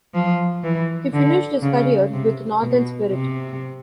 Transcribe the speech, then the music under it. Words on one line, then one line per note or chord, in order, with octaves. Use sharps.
He finished his career with Northern Spirit.
F3
E3
D3
C#3
C3
B2
C3